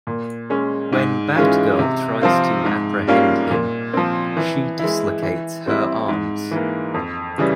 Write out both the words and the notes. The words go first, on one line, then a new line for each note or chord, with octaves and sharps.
When Batgirl tries to apprehend him, she dislocates her arms.
A#2
G#3 C#4
G#2
E3 G#3 C#4 F4
C3
F3 C4 F4
G#2
G3 A#3 C#4 F4
A#2
F3 C4
E3
G#3 E4
E3
G3 C4 E4
G#2
E3 A#3
F2
C#3 E3 G3